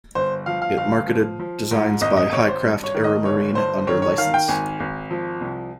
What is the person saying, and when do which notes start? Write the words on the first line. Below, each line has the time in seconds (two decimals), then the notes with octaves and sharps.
It marketed designs by HighCraft AeroMarine under licence.
0.15 G1 C5
0.46 F3 F5
0.62 F5
0.77 G1 F5
1.08 F3
1.40 F3
1.71 G#2
2.01 G#1 D#5
2.17 D#5
2.32 G#1 C#5
2.48 C5
2.63 G2
2.84 C#5
2.94 D#3
3.04 D#5
3.25 G1 C#5
3.55 G2 C5
3.87 D#3 C#5
4.02 C#5
4.18 D#3 F5
4.34 G5
4.48 G#1 G#5
4.80 G#1
5.11 F3
5.41 C2